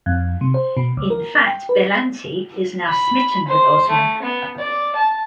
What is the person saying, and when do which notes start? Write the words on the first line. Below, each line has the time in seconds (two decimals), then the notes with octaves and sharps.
In fact Bellante is now smitten with Osman.
0.06 F2
0.41 C3
0.54 C5
0.77 B2
0.97 C#2
1.10 A#4
1.47 G5
1.69 B4
2.87 B5
3.47 C5
3.89 A3
4.22 B3
4.58 D5
4.95 A5